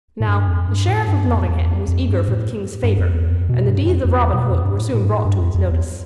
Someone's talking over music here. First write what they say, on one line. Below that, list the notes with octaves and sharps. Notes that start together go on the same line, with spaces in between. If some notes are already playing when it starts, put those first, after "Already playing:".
Now the Sheriff of Nottingham was eager for the King's favor and the deeds of Robin Hood were soon brought to his notice.
A2
G2
F2
G2
A2
G2
F2
E2
F2
F2
G2
A2
G2
F2
E2
F2
B2
G2
F2
F2
E2
B2
F2
G2
A2
A2
G2
A2
G2
F2
F2
E2